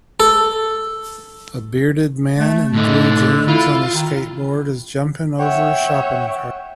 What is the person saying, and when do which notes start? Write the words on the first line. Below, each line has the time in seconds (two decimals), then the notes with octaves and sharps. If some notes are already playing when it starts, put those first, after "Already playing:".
A bearded man in blue jeans on a skateboard is jumping over a shopping cart.
0.20 A4
2.39 A3
2.73 A2 D3 D#4
3.48 E4 F4
3.94 D#3
5.40 C#5 E5 F#5 G5 C#6